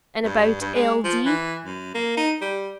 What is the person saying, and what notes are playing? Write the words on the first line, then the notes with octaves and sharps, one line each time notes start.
"And about L. D.?"
G2
G2
G#3
F3
E3
F#2
A#3
D#4
G3